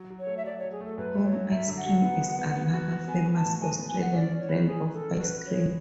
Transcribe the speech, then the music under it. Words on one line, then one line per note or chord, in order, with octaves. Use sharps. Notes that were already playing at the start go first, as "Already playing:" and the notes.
Home Ice Cream is another famous Australian brand of ice cream.
Already playing: F#3
F#3
C#5
A3
E5
F#3 D5
C#5
F#3
G#4
A3 A4
F#2 B4
A3
C#5
F#3
F#2 E5
D3
F#5
F#3
B3
G#3
B3
B3
F#4
F#4
B3 G#5
F#4
A5
A2
G#3 G#5
B3
G#5
B3 F#5
C#4 D5
C#4
C#5
B4
C#4 G#4
B4
A4
C#4
F#4 B4
B4
C#5
G#3